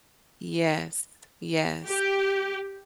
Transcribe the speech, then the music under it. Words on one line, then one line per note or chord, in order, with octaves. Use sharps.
Yes, yes.
G4